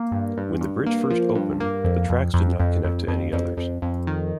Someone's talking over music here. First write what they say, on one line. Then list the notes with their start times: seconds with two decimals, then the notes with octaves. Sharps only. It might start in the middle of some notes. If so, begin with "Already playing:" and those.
When the bridge first opened, the tracks did not connect to any others.
Already playing: A#3
0.11 G2
0.37 G2
0.61 G2
0.86 A#3
1.10 F3
1.35 G2
1.60 A#3
1.84 F2
2.10 F2
2.34 F2
2.60 F2
2.84 F2
3.08 F2
3.33 F2
3.57 F2
3.82 F2
4.07 D#3